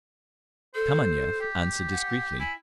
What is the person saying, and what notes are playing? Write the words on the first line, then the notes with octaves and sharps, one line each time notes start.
Kameniev answered discreetly.
A4 C5
G4
F#5
E4 G#5